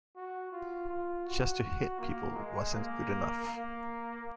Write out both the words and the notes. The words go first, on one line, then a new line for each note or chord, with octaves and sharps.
Just to hit people wasn't good enough.
F#4
F4
F4
F#4
F#4
A#3
G#3
A#3
A#3